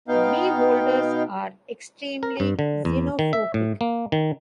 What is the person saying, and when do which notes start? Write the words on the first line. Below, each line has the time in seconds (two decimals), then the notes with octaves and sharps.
Beholders are extremely xenophobic.
0.08 B2 B3 D#4 F5 G5
2.23 A#4
2.40 G2
2.59 D3
2.85 E2
3.19 D#3
3.33 E5
3.54 A2
3.81 A#3
4.12 D#3